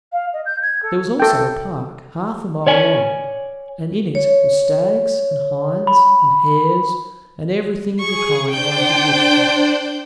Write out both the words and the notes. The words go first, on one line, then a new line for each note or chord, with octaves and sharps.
There was also a park, half a mile long, and in it were stags and hinds, and hares, and everything of the kind one could wish for.
F5
D#5
G6
G#6
A4
A4 G5
C#5 D5 G#5
C#5
B5
G#4 C#6
D4 C5 D5 G5 G6